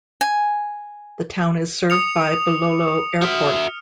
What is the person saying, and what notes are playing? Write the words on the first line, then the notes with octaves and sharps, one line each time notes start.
The town is served by Bulolo Airport.
G#5
D#6 C#7 F7
F#4 E5 F6